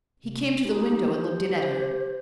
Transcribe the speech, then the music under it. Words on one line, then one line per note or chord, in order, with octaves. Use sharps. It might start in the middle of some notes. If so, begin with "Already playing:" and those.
He came to the window, and looked in at her.
C3
D#4 G4
C5